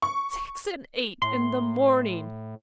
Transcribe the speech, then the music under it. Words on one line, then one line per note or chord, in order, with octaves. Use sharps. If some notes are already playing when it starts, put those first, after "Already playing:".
Six and eight in the morning!
C#6
A2 C6